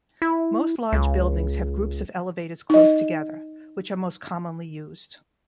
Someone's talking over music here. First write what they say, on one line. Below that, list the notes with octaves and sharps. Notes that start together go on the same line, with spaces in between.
Most large buildings have groups of elevators close together, which are most commonly used.
E4
C#2
D#4 D#5